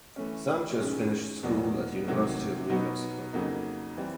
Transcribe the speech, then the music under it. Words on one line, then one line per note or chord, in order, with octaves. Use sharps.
Sanchez finished school at University of New Mexico.
E3 A3 C#4
F#2 D#3 G#3 C#4
E2 B2 F#3 A#3 D4
C3 D#3 F#3 A3
B2 F#3 B3 D#4
F2 C#3 F#3 A#3 D#4
E3 G3 C4